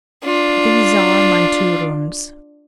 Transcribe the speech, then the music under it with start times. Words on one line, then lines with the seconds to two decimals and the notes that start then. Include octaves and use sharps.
These are my two rooms.
0.24 D4 F4